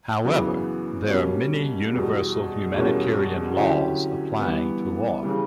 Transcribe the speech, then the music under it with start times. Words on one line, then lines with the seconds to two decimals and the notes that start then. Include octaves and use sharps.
However, there are many universal humanitarian laws applying to war.
0.25 F#2 C#3 E3 B3 F#4
1.08 B2 G3 A#3 C#4
1.91 E2 B2 G3
2.74 E2 B2 G3 A#3 C#4
3.56 D3 F#3 C#4 E4 G4
4.39 G2 E3 B3
5.23 C#3 E3 G3